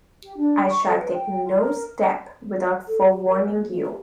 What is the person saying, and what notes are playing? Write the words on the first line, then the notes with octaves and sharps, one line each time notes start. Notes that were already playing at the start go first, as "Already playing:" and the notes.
I shall take no step without forewarning you.
G4
D4
C#6
A4
B4
G5
F4
A#4
A4
G4
A#4
A#3
F4
G4